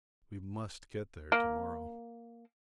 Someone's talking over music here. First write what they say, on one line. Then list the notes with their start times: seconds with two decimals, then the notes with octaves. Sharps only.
We must get there to-morrow.
1.32 A#3